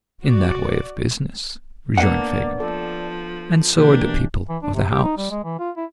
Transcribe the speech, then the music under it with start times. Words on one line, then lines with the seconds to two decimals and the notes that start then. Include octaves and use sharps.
'In that way of business,' rejoined Fagin; 'and so are the people of the house.
0.23 F#4 D5
1.98 A#3 B3 D4 D5 F#5
2.60 F3 A4
3.76 B2 E3 A#3 D4 G4
4.49 E3
4.63 D4
4.75 C3
4.91 G4
5.04 D#4
5.18 G3
5.31 G#3
5.45 E3
5.60 F4
5.77 E4